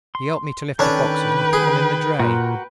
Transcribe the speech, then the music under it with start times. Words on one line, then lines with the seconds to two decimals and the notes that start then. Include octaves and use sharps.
He 'elped me to lift the boxes and put them in the dray.
0.15 C6
0.79 D#3 C#4 D4 A4 B4 G5 A5
1.53 G#4
2.20 A#2 F#4 A#4 F#5